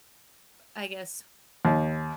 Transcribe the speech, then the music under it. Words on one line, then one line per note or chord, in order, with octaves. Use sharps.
I guess,
D#2